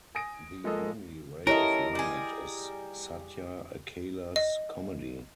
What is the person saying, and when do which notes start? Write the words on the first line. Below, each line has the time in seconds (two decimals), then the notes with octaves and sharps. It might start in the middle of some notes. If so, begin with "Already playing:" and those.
The only ray of light is Satya Akkala’s comedy.
0.15 G#5 D#6 A#6 D7
0.64 F3 G#3 A#3 A4 D#5
1.47 C#4 D4 E4 G4 A4 A#4 D#5
1.95 G3 G#4
4.36 D#5